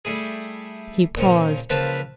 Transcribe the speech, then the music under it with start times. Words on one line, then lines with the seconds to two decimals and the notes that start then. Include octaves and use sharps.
He paused.
0.05 G3 A3 E4 G#4
1.17 A#2 C#3 F3
1.69 C#2 F3 A#3 B4 A5 B5